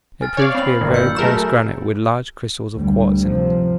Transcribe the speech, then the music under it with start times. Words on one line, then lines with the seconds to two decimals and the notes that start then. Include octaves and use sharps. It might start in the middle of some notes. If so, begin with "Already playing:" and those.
It proved to be a very coarse granite with large crystals of quartz in it.
0.21 G#5 F6 A6
0.37 C#5 D5 F5
0.55 C4 B5 C7 F#7
0.81 G1 A#2 D#3 D5
0.94 E6 G6 C#7
1.16 F#3 A3 G#4 A#4 E7
2.75 D2 G3
3.21 C3 F3